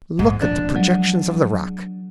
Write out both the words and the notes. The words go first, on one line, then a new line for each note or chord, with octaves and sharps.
Look at the projections of the rock.
A#1 E2 G#2 G#3
D1 F3 D4
F3 F#3 G#3